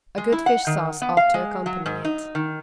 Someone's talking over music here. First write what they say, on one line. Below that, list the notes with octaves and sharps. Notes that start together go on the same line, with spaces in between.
A good fish-sauce ought to accompany it.
G#3
E4
F#5
D#3
B3
F5
G#3
F#3
G#2
D#4
D#3